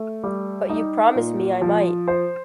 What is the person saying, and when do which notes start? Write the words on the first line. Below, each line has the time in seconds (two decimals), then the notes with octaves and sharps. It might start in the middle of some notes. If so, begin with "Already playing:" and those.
But you promised me I might!
Already playing: A3
0.24 G3
0.70 D#4
1.15 A#2
1.62 F3
2.08 C5